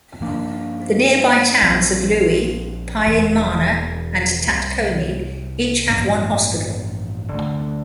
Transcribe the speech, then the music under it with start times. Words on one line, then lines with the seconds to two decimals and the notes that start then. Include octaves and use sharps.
The nearby towns of Lewe, Pyinmana, and Tatkone each have one hospital.
0.20 G2 F3 A#3 D4
1.62 A#1 A#2 F3 C4
3.05 E1 E2 E3
4.47 C2 C3 G3
5.89 A1 G2 F3 A#3
7.32 D2 D3 A3